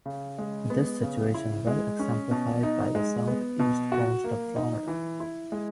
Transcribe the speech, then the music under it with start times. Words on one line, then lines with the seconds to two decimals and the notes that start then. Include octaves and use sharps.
This situation well exemplified by the southeast coast of Florida.
0.06 C#3
0.38 G#3
0.70 B3
1.03 C#3
1.34 E4
1.67 G#3
1.99 C#4
2.31 B2
2.63 D#4
2.95 G#3
3.27 B3
3.59 B2
3.92 F#4
4.24 A#3
4.56 D#4
4.87 E3
5.20 E4
5.52 G#3